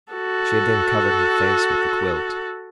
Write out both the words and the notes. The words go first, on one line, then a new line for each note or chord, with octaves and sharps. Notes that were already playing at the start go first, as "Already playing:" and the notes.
She had then covered her face with the quilt.
F#4 A4